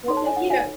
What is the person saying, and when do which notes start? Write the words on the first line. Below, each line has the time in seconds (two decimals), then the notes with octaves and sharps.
Well, thank you,
0.08 D#4 A4 C#5 C6
0.17 A5
0.26 G#5
0.36 F#5
0.50 G#5